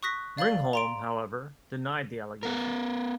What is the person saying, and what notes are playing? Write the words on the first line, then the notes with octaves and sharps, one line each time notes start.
Ringholm, however, denied the allegations.
C#6 D#6 F#6 A#6 B6
D5 F5 A6 F#7 G7
A#5 C6 D7
B3 A#4